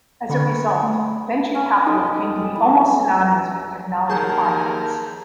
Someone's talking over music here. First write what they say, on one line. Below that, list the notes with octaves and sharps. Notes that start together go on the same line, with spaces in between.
As a result, venture capital came to be almost synonymous with technology finance.
D3 G5 B5 C#6
A3
C#4
D#4 G4 A4 D#5
E4
D#2 G#4 A#4 A5 G6 G#6